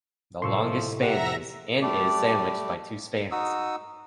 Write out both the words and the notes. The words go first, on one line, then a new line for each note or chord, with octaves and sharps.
The longest span is and is sandwiched by two spans.
A2 C3 F3 G#3 C6 C#6 E6
G4 E5 F#5 A#5 A#6
G3 A3 D5
D#4 F#4 D#6 E6